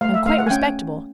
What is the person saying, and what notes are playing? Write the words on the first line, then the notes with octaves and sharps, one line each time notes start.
"I am quite respectable."
A3 F5
E5
A3 F5
F#5
G#5
C#4 G5